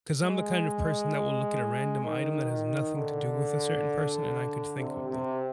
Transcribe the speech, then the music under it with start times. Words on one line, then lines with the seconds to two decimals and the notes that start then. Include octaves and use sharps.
'cause I'm the kind of person that will look at a random item that has nothing to do with a certain person, and I could think of them.
0.22 G#3
2.05 D#3
2.50 D#3
2.96 D3
4.79 C3
5.09 C3